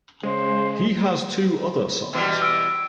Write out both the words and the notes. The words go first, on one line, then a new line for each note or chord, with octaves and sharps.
He has two other sons.
C#3 G#3 C5
B2 E3 G3
E6 D7